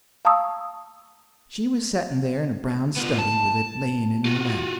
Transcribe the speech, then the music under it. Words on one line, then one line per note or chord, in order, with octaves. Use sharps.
She was setting there in a brown study, with it laying in her lap.
F5 A5 A#5 C#6 D#6 E6
B3 F4
A5
F4 F#4